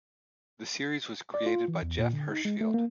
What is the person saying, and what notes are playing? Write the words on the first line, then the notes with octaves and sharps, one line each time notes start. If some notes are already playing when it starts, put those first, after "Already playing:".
The series was created by Jeff Hirschfield.
D5
F4
E3
E2
A#2
D3
D#4
G#3
A3
A#3